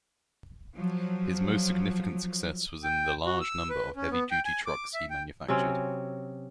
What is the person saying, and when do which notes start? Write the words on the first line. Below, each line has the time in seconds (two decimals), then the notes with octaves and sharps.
His most significant success was in the large number of heavy-duty trucks he manufactured.
0.75 F3 F#3
2.84 G5
3.26 F#4
3.41 E6
3.70 B4
3.96 C#4
4.11 B3
4.31 G5
4.45 G#5
4.66 D6
4.94 E5
5.10 G5
5.48 C3 F#3 C4 C#4